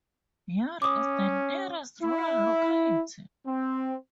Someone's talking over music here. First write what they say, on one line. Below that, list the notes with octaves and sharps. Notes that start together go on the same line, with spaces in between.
Yar is the nearest rural locality.
C#4 D6 D#6
E4
C4